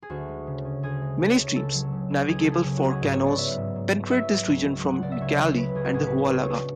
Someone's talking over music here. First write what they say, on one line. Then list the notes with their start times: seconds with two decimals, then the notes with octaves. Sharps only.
Many streams, navigable for canoes, penetrate this region from the Ucayali and the Huallaga.
0.02 G#4
0.10 D2 F#4
0.28 G#3
0.47 C#3
0.65 C#4
0.83 D2 G#4
1.01 G#3
1.19 C#3
1.37 C#4
1.56 C#2 A4
1.74 F#3
1.92 C#3
2.10 C#2
2.28 C#2 G#4
2.40 A4
2.47 F#3 G#4
2.65 C#3
2.77 F#4
2.84 C#2
2.89 G#4
3.01 G#2 C#5
3.14 C#5
3.20 B3
3.26 D5
3.38 F#3 E5
3.57 G#2
3.75 G#2
3.93 B3
4.11 F#3 E5
4.29 G#2
4.47 C#2
4.66 F#3
4.84 C#3 F#5
5.02 C#2 D5
5.12 E5
5.20 C#2 C#5
5.39 F#3
5.57 C#3 B4
5.75 C#2 G#4
5.85 F#4
5.93 A2 G#4
6.06 B4
6.12 B3
6.18 B4
6.30 G#3 C#5
6.48 D4